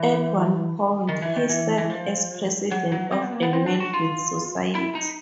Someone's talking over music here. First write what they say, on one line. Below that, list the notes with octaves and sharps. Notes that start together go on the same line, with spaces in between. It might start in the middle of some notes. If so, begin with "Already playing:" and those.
At one point, he served as president of the Melville Society.
Already playing: E3
D#3
E3
D#3
E3
E3
F3
F#3
F#3
C4
B3
A#3
B3
C4
D4
F#4
F4
E4
D#4